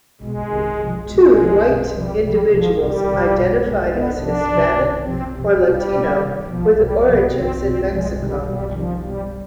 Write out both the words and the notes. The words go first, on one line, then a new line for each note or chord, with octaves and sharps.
Two white individuals identified as Hispanic or Latino, with origins in Mexico.
B2 G#3
C3 D#3
C3 F3
B2 G#3
C3 F3
B2
C3 F3 G3
C3 F3 G3
C3 D#3 F3
C3 D#3 G3
C3 D#3
B2
B2 G#3
B2 B3
C3 F3 D4
C3 F3
C3 D#3
C3 F3 C4
C3 F3
B2 G3
B2
C3 D#3
B2 F3
B2 G3
C3 F3 B3
C3 D#3 C4
B2 C4
C3 F3 G#3
C3 D#3 G3
B2 G3
C3 D#3 F3
B2 G3